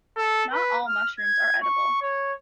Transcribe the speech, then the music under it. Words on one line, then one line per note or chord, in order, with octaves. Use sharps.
Not all mushrooms are edible.
A4
B4
F6
G#6
C#6
C#5